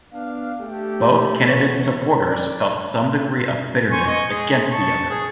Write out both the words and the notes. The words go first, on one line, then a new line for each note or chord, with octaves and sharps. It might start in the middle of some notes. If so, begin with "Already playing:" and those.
Both candidates' supporters felt some degree of bitterness against the other.
B3 D4 F5
A3 G4
E2 C5 C#5
D5
C5 G#5 C#6
D#5 C#6
G#3 G#4
A5 C#6
G#4